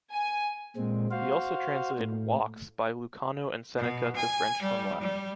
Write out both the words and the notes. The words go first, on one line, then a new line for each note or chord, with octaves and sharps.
He also translated woks by Lucano and Seneca to French from Latin.
G#5
A#2 G#3 C4
F#4 C5 F5
A2
B2
G#5
G3
G3